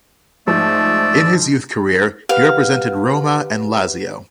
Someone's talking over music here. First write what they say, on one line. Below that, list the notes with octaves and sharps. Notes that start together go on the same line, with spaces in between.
In his youth career he represented Roma and Lazio.
G#2 F3 A3 D5 E6
G4 B4 F5 F#5